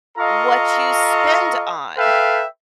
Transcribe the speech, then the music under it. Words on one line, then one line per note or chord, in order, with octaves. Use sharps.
what you spend on,
F4 A4 D#5 F5 A#5 C#6
A4 B4 E5 F5 G5